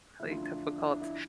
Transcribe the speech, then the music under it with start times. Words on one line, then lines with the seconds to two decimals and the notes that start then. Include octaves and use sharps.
really difficult.
0.20 F2 D3 F3 A3 E4
0.30 D4 F4
0.43 D4
0.67 D4
0.78 E4
0.91 D4
1.02 E4